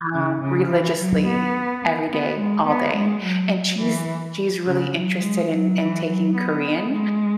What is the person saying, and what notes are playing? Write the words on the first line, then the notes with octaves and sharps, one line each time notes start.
um, religiously, every day, all day. And she's she's really interested in in taking Korean,
C#3
C#3
E3
F#3
B3
B3
G#3
B3
G#3
F#3
E3
C#3
F#3
G#3
F#3
E3
F#3
B3
G#3